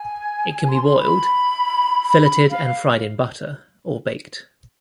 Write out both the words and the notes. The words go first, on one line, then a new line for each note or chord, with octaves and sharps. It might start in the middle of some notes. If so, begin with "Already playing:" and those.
It can be boiled, filleted and fried in butter, or baked.
Already playing: G#5
C6
C6
B5
B5
B5
F5